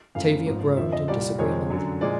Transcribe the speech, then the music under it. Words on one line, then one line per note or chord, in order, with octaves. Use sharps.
Tavia groaned in disagreement.
F#1 F#2 C#3 F3 A3 F5
G#1 G#2 F3
F2 D3 F3 E5
D#5
C2 A#2 G3 D5
F2 C3 F3 G#3 C#5
F#2 D3 F#3
A#2 F3 G#3 D5